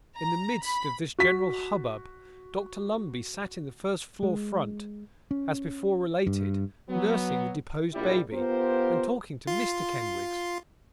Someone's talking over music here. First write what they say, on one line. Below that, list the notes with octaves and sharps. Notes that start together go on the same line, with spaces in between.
In the midst of this general hubbub, Dr Lumbey sat in the first-floor front, as before related, nursing the deposed baby, and talking to Mr Kenwigs.
A#5
B5
F#4 B6
G#3
C#4
G2
F#3 B3
A#1 G3 E4
B3 F4 G4 A#4 C5
F4 C6